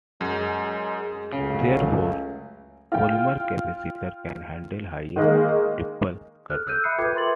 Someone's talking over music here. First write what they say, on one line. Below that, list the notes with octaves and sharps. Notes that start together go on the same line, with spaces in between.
Therefore, polymer capacitors can handle higher ripple current.
F#2 G#3
C#2 F#2 C#3 F#3 A3
F4 G5
D#3 G#3 A#3
A4 F6 F#6
E6 F#6 G6 D#7
E5 B5 D#6 G6 C7 C#7
F4 A4 B4 G5 D6 G#6
A#4 E5 C6 A6 F#7